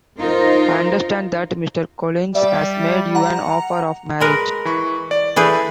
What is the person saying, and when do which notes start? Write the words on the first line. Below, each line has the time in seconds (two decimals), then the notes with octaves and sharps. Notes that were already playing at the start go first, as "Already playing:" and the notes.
I understand that Mr. Collins has made you an offer of marriage.
0.21 D#4 F4 A#4 C5
2.35 G3 D5 E5
3.15 F#5 A#5
4.20 G#3 A#4 B4
4.65 E3 B5 C#6
5.11 D5
5.36 E3 G#4 A4 B4 E5 G6